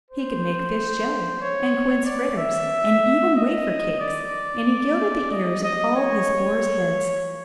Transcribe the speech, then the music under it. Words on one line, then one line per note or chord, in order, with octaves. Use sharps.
He could make fish-jelly, and quince fritters, and even wafer-cakes; and he gilded the ears of all his boars' heads.
C5
C#5
D5
E5
D#5
D5
D#5
D#5
C#5